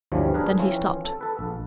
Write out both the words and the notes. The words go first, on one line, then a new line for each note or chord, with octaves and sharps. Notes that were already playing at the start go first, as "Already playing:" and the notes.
Then he stopped.
D2 G2 E3 F3 G3 C#4
D4 G#4 A#4 B4
E3 F3 C4 C#4
A4
A4 B4
A#1